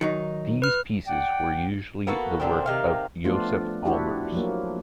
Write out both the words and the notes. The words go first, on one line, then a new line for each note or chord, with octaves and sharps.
These pieces were usually the work of Josef Albers.
D#3 F#3 D#4
B4 F6
D5 F#5 G5
A#3 B3 F#4 A4
A#2 D3 F3 C4
C3 D#3 F5
F3 A3 B3 D4 F4
D4 E4 F#4 G4
F3 F#3 A#3